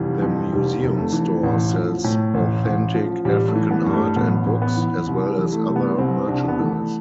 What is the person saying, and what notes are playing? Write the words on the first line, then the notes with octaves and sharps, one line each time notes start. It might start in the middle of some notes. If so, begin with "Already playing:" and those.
The museum store sells authentic African art and books, as well as other merchandise.
Already playing: F1 E3 G3
F2
F1 G3
F1
A3
E3
A1
F3
A2
A1
A1
F3
A1 G3
A3
E3
B3
G2
A3
A1 B3
A1
B3
E3
C2
G3
E3
A3
C3
B3
C2 C4
C2 D4
B3
E3 A3